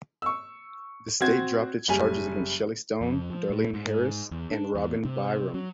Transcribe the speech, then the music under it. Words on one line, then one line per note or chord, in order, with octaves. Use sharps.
The state dropped its charges against Shelly Stone, Darlene Harris and Robin Byrum.
C#6 E6
C4 F#4 G#6
F#1 G3 G#5
F2
F3
A2
G#2
E2
D4
E2
C3
F#3